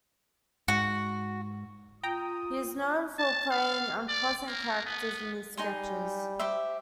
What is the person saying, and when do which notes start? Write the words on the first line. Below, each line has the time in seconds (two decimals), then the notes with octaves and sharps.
He is known for playing unpleasant characters in his sketches.
0.68 G#2 F#4
2.03 F4 G5 A#5 D#6
3.19 A5
3.51 F5
4.09 D5
4.48 A#3
4.86 B3
5.57 G3 D#4 G#5 C6
6.39 G4 C5 E5